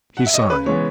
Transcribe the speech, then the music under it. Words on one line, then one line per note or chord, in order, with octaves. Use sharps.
He signed.
F#5
E5
D#5
C#5
C#3 B4
E3 G#3 B3 C#5